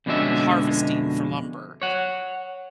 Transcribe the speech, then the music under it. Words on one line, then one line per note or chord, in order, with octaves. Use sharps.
harvesting for lumber.
F2 B2 D3 G#3 C#4 E5
C#5 F#5